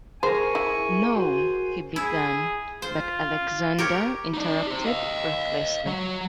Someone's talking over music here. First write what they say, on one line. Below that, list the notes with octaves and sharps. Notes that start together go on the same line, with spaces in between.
"No — " he began, but Alexander interrupted ruthlessly.
G#4 A#4 C5 G#5 C#6
E4
F#4 C5 G#5
E4 G#4
F4 C5
G4 A#4 C#5
D#4 D5
G4 C5
D#5 F5
F#3 C#5